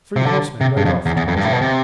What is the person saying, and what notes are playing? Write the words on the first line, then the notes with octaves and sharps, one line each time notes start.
Three horsemen rode off to patrol.
C3
D3
C3
G2
F2
E2
E2
F2
G2
A2
B2
C3